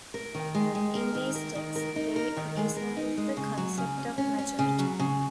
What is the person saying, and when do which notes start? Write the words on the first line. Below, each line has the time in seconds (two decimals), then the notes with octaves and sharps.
In these texts, they criticize the concept of "majority".
0.14 A#4
0.35 D#3
0.55 G#3
0.75 G#3
0.95 A#4
1.15 D#3
1.35 A#4
1.55 D#3
1.76 A#4
1.96 D#4
2.16 A#4
2.37 D#3
2.57 G#3
2.77 A#4
2.97 D#4
3.17 G#3
3.37 C#3
3.57 F#3
3.78 C#3
3.98 C#4
4.18 C#4
4.39 C#4
4.59 C#3
4.79 F#3
4.99 C#3